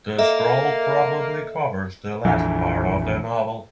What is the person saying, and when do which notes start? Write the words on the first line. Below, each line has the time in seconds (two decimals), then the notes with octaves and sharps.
The scroll probably covers the last part of the novel.
0.18 A#3 A4 D#5 E5
2.25 A#1 F2 E3